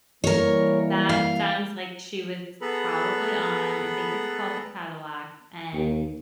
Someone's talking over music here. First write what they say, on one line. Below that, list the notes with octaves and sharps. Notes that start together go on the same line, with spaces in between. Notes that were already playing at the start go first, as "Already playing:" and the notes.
That sounds like she was probably on- I think it's called the Cadillac, and
E3 G3 A#3 A#4 C#5
F5
B3 G#4 A4 B4 A#5 B5
D#2